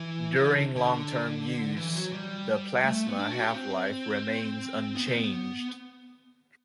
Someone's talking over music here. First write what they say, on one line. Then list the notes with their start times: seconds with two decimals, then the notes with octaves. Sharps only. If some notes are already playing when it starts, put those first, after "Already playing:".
During long-term use, the plasma half-life remains unchanged.
Already playing: E3
0.36 E3
0.50 D3
0.76 D3
1.77 E3
1.89 E3
1.95 F#3
2.13 G3
2.83 A3
2.95 A3
3.07 B3
3.19 D4
3.31 F#4
3.42 G4
3.54 C4
4.95 B3
5.07 C4
5.17 B3